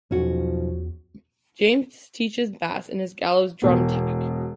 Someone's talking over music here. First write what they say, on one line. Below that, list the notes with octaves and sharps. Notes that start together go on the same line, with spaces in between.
James teaches bass and is Gallows' drum tech.
B1 E2 F3 C#4 F#4
E1 B2 B3